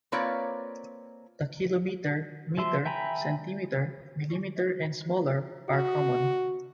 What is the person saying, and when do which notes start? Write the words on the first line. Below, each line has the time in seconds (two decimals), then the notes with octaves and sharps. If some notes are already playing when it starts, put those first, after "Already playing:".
The kilometre, metre, centimetre, millimetre, and smaller are common.
0.12 A#3 C4 F4 B4 C#5 D5
2.58 F3 E5 C6
2.85 E5 G5 G#5 A#5 B5
5.69 F#4